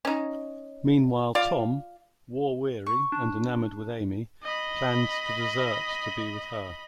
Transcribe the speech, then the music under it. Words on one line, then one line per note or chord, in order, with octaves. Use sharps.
Meanwhile, Tom, war-weary and enamored with Amy, plans to desert to be with her.
C#4 D#4
F4 D5 F5
C#6
D4
D#5 B5